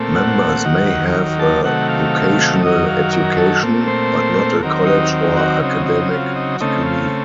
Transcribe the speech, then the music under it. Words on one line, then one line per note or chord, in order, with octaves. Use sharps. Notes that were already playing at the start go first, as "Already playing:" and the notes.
Members may have a vocational education, but not a college or academic degree.
Already playing: A#2 A3 C4
F#5
D#2 D#3 F#3
A5
C3 D#3 F#3 A3 F#5
F5
F#2 D#3 F#3 D#5
F5
A#4
A4
A#2 A3 C4
C5
D#2 D#3 F#3 C4 A#4
D#4
F#4
C#3 F#3 C4 D#4
D#4
F4
D#4
C#3 A3 C4 D#4
F4